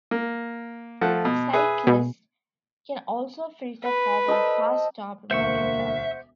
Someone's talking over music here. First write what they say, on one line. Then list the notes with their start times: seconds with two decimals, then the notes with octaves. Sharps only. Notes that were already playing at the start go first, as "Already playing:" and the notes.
Cyclists can also filter forward past stopped motor traffic.
0.11 A#3
1.01 F3 A3 F#5
1.25 B2
1.53 G#4 B4 E5
1.87 B2
3.83 B4
4.28 A4 C5 D#5
5.31 E1 D2 A#3 C5 E5 F#5 C#6